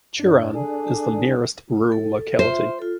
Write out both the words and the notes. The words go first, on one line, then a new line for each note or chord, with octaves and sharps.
Turan is the nearest rural locality.
G2 D4
G#4 A4
A4
F4 C5 E5
F4 A4